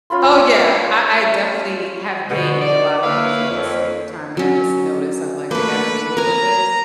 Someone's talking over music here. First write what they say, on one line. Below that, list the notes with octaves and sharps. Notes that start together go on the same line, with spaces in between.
Oh yeah, I I definitely have gained a lotta patience over time and I just noticed, I'm like, "I gotta be a little bit
C#4 F4 B5 C6
B2 D3
D5
A#3 E4 B4 C#5 F5
F2
F#3 C#4
A3 A#3 B4
A#4 G#5 A#5